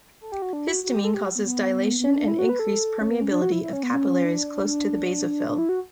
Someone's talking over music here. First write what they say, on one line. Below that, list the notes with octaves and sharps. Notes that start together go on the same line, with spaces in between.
Histamine causes dilation and increased permeability of capillaries close to the basophil.
A4
G4
F#4
D4
F#4
F#4
G4
A4
G4
B3
B3
B3
C#4
D4
E4
F#4
B4
A4
C#4
B3
C#4
D4
F#4
E4
E4
C#4
B3
C#4
D4
D4
E4
F#4